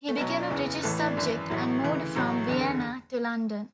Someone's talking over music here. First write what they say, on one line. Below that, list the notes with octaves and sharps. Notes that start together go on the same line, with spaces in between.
He became a British subject and moved from Vienna to London.
A3
B1 B2 F#3 B3
C#4
D4
F#1 E2 C#3 E3
A1 A2 E3 A4
E4
D4
G#1 F#2 E3
A1 A2 F#3 E4
D2 C#3 E3
A1 A2 F#3
F#1 E2 D3
B3